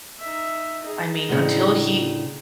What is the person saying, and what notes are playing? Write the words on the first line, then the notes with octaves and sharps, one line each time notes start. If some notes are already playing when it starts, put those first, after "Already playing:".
I mean, until he,
D#4 E5
D#4 G#4
D2 A2 C#3